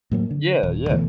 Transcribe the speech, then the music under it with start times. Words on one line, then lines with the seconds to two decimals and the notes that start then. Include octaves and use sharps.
Yeah, yeah.
0.11 A2 F#3 A#3
0.31 D3
0.63 D#1
0.89 D2 B2 E3 A3